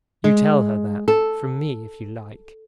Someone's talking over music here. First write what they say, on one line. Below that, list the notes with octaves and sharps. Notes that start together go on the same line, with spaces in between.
You tell her that--from me, if you like.
G#3
A4